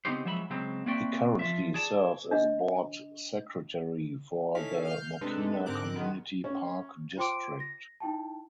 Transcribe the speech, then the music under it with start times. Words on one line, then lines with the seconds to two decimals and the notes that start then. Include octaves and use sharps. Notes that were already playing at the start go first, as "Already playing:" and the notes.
He currently serves as board secretary for the Mokena Community Park District.
0.05 C#3 B3 C4 D#4 G4 C5
0.25 F3 F#3 G#3 E5 G5 B5
0.50 C#3 F#3 G#3 C4
0.86 A#3 C4 F#4 D5 E5 G5
1.39 F3 F4 E5
1.74 G#4 D5 A5
2.31 D4 D#5
4.55 C#4 D#4 E4 A4 F5 B6
4.83 F5 F6 G6
5.21 C3 G#3 D4 A4 B4
5.66 G#2 D3 C4 A#4 D6 F#6
5.96 D#3 G#3 B3
6.44 C#4
7.17 F4 C5 G5 C6 D6 D7
7.60 A#6
8.00 D#4 E4 G5 A5